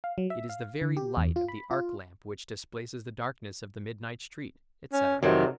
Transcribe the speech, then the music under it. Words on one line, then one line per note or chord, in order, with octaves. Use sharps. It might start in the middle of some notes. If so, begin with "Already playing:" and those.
It is the very light of the arc-lamp which displaces the darkness of the midnight street, etc.
F5
F#3
E5
F5
D3
G4
E2
F4
B5
F4
C#4
F2 C3 D#3 F#3